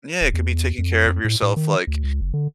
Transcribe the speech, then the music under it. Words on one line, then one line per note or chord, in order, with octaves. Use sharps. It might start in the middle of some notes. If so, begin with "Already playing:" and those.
Yeah, it could be taking care of yourself like,
D1
E2
F2
F2
A2
A2
D#3
D2
C#2
F#1
D3